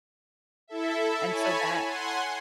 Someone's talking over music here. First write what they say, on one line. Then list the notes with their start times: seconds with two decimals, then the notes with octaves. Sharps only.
and so that
0.68 E4 A4 E5
1.26 C#5 G#5 A5 B5
1.86 F#5 G#5 C6